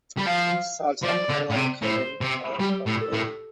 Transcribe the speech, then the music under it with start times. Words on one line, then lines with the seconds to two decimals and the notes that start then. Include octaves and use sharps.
Soils with a high lime content are preferred.
0.17 G3
0.25 F3 F5
1.03 F3 D5
1.30 D3
1.51 A2
1.56 C3
1.82 A2 C5
2.21 C3
2.60 G3 G4
2.87 A2
3.00 A4
3.13 A2